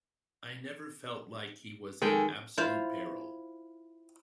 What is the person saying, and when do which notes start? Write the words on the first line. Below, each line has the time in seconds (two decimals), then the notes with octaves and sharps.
I never felt like he was in absolute peril.
2.02 D#3 G#3 A4 G5 G#5
2.57 E4 F4 C5 F5